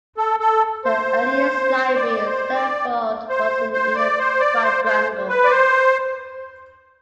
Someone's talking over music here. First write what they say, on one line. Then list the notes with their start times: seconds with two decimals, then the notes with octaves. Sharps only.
The earliest library at Stanford was in the inner quadrangle.
0.18 A4
0.40 A4
0.85 C5
1.96 D5
2.26 C5
2.55 D5
3.29 C5
3.73 C5
3.96 D5
4.18 C5
4.40 D5
4.62 C5
4.85 C5
5.29 B4
5.44 D5
5.51 C5